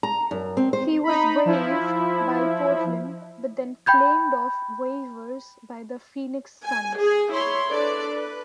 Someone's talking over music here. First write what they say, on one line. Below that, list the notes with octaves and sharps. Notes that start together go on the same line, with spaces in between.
He was waived by Portland, but then claimed off waivers by the Phoenix Suns.
A#5
F#2
C4
C5
D#4 B5
F3 E4
G5 B5 G6 G#6
G#5
G#4
E4 C#5 C6
D4 A4 B4 D5
B4